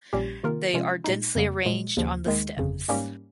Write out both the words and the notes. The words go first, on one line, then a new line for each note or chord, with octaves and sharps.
They are densely arranged on the stems.
A#1 A#2 G3 C#4 G4
C3 D#3 A#3 F4 A#4
C3 F3 G#3 C#4 F4
A#2 G#3 D#4
F2 C#3 G3 A#3
A#2 F3 G#3
D#2 C#3 F3
D#2 D#3 G#3
G1 F2 C#3
G#2 G3 A#3 C#4 G4